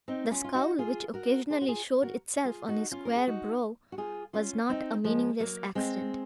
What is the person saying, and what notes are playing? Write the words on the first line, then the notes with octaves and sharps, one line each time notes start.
The scowl which occasionally showed itself on his square brow was not a meaningless accident.
C4 D#4
C#4 F4
F4
D#4 F#4
F4 G#4
F#4 A#4
G#4 C5
F#4
F4 G#4
F#4 A#4
F4 G#4
D#4 F#4
C#4 F4
A#4
G#4
D#4 F#4
F#4
F4 G#4
C#4 F4
C4 D#4
F3 G#3
F#3 A#3
G#3 C4